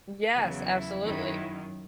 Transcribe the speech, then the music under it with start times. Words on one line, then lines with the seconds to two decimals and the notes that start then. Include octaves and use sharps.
Yes, absolutely.
0.35 E2 C#3 F#3
0.69 E4
1.04 F#2 D#3 F#3 E4